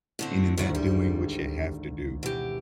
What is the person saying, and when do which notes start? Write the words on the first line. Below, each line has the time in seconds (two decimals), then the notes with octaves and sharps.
And in that doing what you have to do,
0.19 A2 D3 C4
0.57 G#1 D2 A2 F#4 F#5
0.75 G3
2.23 B2 E3 G4